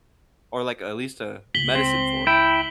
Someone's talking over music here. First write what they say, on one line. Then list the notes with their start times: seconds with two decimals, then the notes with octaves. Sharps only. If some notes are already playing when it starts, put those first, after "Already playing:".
Or, like, at least a medicine for it.
1.55 C#2 B6 F#7 G7
1.75 C4
2.27 E4 G5